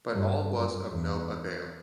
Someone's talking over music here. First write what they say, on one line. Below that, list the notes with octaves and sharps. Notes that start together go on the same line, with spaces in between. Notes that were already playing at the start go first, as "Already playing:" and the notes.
But all was of no avail.
G2
F#2
E2